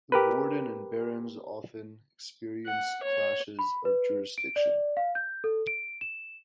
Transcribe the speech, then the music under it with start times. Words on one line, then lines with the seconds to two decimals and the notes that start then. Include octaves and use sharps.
The warden and barons often experienced clashes of jurisdiction.
0.12 G4 A#4 B4
2.66 F#5
3.03 C#5
3.59 B5
3.85 B4
4.38 D7
4.56 D5
4.97 F5
5.15 G6
5.44 A4
5.67 D7
6.01 E7